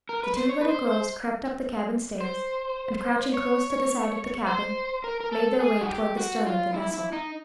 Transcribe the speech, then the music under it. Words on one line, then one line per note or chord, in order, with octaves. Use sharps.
The two little girls crept up the cabin stairs, and crouching close to the side of the cabin made their way toward the stern of the vessel.
A#4
B4
C5
C#5
B4
C5
C5
C5
C#5
C5
A#4
A#4
A4
G#4
F#4
G4
F#4
F4
E4
E4
D#4